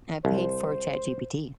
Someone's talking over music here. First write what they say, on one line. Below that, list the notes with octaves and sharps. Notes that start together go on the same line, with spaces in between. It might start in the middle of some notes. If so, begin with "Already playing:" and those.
I paid for ChatGPT
C2 C5